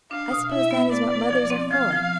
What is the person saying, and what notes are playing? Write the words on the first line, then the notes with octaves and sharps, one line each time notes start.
"I suppose that is what mothers are for!"
D4 F5
B2
E4 E5
B3
B4 D5
B4
F3
C4
F3 F5
F3